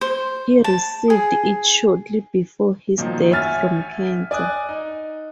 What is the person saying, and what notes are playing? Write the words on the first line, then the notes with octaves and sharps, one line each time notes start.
He received it shortly before his death from cancer.
C5
A5
G#4
A#2 D#3 F3 F#3
A1 C#5 E5 G#5 F6 A6
D5 G#5 D#6 F#6
D#4